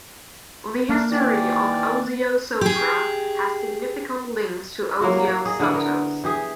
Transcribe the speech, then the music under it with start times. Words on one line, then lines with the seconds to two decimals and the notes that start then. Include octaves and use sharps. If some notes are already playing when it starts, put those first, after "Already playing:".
The history of Osio Sopra has significant links to Osio Sotto's.
0.89 A3 A#3 D4 A#4
1.11 D#3 E3 D5
2.61 G4 G#4
5.01 F#3 A#3 E4 F#4
5.28 A#3
5.46 G#4 D#5
5.60 D3 B3 E4 F#5
5.74 B3 A#4
6.24 E3 G4 G#4